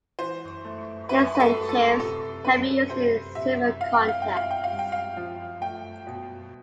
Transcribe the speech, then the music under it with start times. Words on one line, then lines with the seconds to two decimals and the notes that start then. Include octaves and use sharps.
Incentives can be used in several contexts.
0.19 E3 C5
0.64 A3
1.09 E4 B4
1.35 B4
1.40 A4
1.55 A3
1.69 A4
2.00 C3 A4
2.44 C4 B4
2.90 C3 C5
3.35 C3 E5
3.80 E4 F5
3.94 G5
4.08 F5
4.22 E4 G5
4.37 F5
4.51 G5
4.64 F5
4.71 G2
4.79 G5
4.92 F5
5.17 F3
5.61 A3 G5
6.07 B2